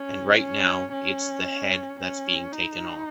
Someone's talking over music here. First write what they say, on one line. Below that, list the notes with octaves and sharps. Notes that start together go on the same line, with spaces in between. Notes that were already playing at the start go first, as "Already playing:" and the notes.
And right now, it's the head that's being taken off...
Already playing: C#4
C#4
C#4
C#4
D#4